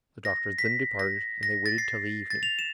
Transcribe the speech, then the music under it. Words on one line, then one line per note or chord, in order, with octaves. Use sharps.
The doctor then departed, and they waited till the evening.
A#6
B6
A#6
A#6
A6
C7
A6
F7
E7